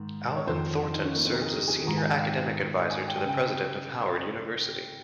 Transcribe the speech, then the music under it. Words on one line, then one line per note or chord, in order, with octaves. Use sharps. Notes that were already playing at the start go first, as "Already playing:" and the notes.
Alvin Thornton serves as Senior Academic Advisor to the President of Howard University.
Already playing: G#2 D#3
C#5
F2 D#3 C5
F4
D#4
C#4
A#3
C4
A#4
G#4
G4
G#4
G#2 D#3 A#5
G#5
G5
F5
G#5
G5
G#5
C#3 G5